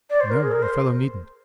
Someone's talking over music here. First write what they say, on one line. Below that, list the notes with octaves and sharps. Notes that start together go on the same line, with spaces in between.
"No, the fellow needn't."
D5
C5
A#4
G#4
A#4
C5